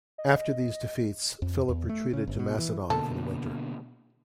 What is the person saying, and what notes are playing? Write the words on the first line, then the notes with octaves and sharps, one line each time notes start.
After these defeats, Philip retreated to Macedon for the winter.
D#5
F2
E2
A3
C#3
G1
B2
E3
B2 D3 A#3 A4